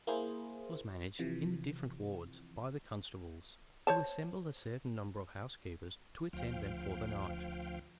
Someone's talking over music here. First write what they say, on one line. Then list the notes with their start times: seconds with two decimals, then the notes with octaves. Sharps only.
This was managed in the different wards by the constables, who assembled a certain number of housekeepers to attend them for the night.
0.07 A#3 E4 G#4 C5
1.19 C3 E3 F3
3.87 C5 C#5 A5
6.33 D2 F3 F5 G5